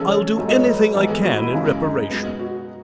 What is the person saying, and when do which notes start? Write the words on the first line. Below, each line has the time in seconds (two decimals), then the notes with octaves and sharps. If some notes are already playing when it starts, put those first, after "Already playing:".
I'll do anything I can in reparation.'
Already playing: C#3 E3 G#3 C#4 G#4 A4
0.09 C#5
0.38 G#2 F#3 A3
0.49 D#5
0.57 C#5
0.66 B4
0.95 G#2 E3 B3 A4
1.09 G#4
1.23 F#4
1.38 E4
1.53 F#2 C#3 G#3
1.81 D#4
2.10 B2 G#3 B3
2.39 F#4